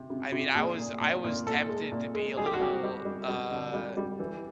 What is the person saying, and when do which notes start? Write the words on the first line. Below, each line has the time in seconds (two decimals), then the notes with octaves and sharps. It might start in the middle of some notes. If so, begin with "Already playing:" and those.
I mean, I was I was tempted to be a little, uh,
Already playing: C3
0.10 C3
0.32 C3
0.55 A#2 G#4
0.79 A#2
1.01 A#2
1.24 A#2
1.46 A#2 A4
1.69 G#3
1.92 A#2
2.15 G#3
2.37 G3 G#4
2.46 G4
2.54 F#4
2.60 G3 G4
2.83 G3
3.05 G3
3.28 G3
3.51 D3
3.74 G3
3.97 G3
4.20 E3